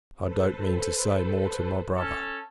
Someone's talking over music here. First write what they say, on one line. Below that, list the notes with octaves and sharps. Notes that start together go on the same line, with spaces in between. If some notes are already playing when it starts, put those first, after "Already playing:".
I don't mean to say more to my Brother.
A4 B4 C5
C#4 A4